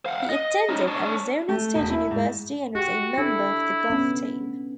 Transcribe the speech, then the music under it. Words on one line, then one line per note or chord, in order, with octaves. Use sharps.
He attended Arizona State University and was a member of the golf team.
F5 F#5
D#5
C#4 D#4
D4 C#5
A3
E1
E4
G#2
F#4 G4
D4 E4 A4
B3 C#4